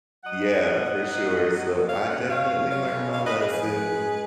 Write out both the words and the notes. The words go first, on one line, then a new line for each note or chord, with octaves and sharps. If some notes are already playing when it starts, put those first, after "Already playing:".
Yeah. For sure. So, I definitely learned my lesson,
F#3 D#5 F#5
D#4
A#3
D#4
A#3
F#3
F#3
A#3
C#3 C#5 F5
F#2 D#5 F#5
F#2 C#5 F5
F#2
F#3 C#5 F5
C#3
F#2 C#5 F5
B4 D#5
F#2
G#4 B4
F3 G#4 B4
F#2
G#3